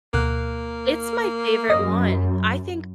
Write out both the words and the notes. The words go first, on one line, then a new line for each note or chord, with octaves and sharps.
It's my favorite one, I think
D2 B2 A#3 F#6
F#2 D#5 D#6 A#6